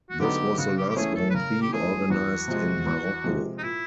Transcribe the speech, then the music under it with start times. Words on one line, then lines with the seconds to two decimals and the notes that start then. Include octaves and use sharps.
This was the last Grand Prix organized in Morocco.
0.10 F#4
0.20 D3 F#3 B3 D#4 G4
0.58 C#3 F#4
0.77 G4
0.90 G4
0.96 E3 A3 C#4 G#4
1.15 A4
1.30 B4
1.34 C#3 A#4
1.61 G4
1.73 E3 A3 C#4 G#4
2.10 E2 F#4
2.48 C3 F3 G#3
2.87 E2
3.24 C3 F3 G#3
3.58 D#4
3.63 A#2 E4